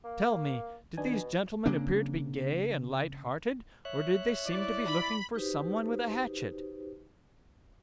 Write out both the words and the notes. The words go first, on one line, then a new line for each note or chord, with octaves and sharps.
"Tell me, did these gentlemen appear to be gay and light-hearted, or did they seem to be looking for someone with a hatchet?"
A#3
B2 D#3 D4 G#5
C#3 A#3 C4 D4
C#5 E5 F#6
E4 D5
B5
D#4 F#4 G4 B4 C5